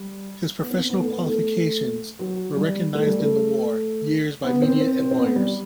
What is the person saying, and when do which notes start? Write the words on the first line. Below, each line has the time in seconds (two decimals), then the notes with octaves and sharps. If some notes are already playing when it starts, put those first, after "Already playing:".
His professional qualifications were recognized in the War years by Media and lawyers.
Already playing: G3
0.61 B3
0.70 C4
0.89 B3
1.00 A3
1.08 B3
1.26 A3
2.19 F#3
2.56 G3
2.95 A3
3.07 G3
3.20 A3
4.43 B3
4.62 C4
4.80 C4
4.99 C4
5.11 C4
5.18 B3
5.36 G3